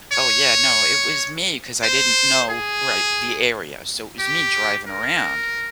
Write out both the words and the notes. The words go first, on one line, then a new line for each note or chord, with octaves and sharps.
Oh, yeah, no, it was me 'cause I didn't know, right, the area, so it was me driving around,
C#5
C5
G#4
G4
A#4